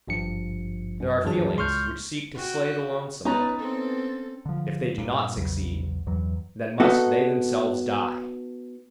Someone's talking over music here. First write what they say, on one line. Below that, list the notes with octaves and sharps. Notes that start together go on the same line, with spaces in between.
There are feelings which seek to slay the lonesome one; if they do not succeed, then must they themselves die!
G#1 G2 F3 C#7
F#2
D2 G2 E3 F#3 G#4 A5
C#2 C6 C#6 F6 G6
F#4 G5
B3 C#4 D#4 B4 A#5 A6
C4 A4
D3 F3
G2 A#2
A#1 E2 C#3 F#3
E2 G2 E3 F#3
B3 D#4 F#4 A4